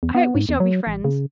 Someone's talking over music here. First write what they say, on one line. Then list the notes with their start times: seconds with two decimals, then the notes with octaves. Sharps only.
I hope we shall be friends.
0.03 E2
0.15 B3
0.35 G#2
0.49 E2
0.60 F#3
0.87 A1
1.04 C#3